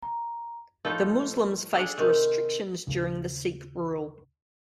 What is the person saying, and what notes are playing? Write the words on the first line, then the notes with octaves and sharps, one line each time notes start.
The Muslims faced restrictions during the Sikh rule.
A#5
A2 F3 D#4 A4
D4 G#4 A4
C3 D#3
D#2 C#3